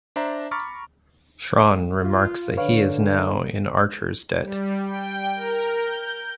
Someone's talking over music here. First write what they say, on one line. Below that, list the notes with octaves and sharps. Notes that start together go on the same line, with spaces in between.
Shran remarks that he is now in Archer's debt.
D4 C5 E5 A#5
A#5 B5 C#6 D6 F6 A6
F4
D3 D4 B4 C#5 F5
G3
G5
A#4
G6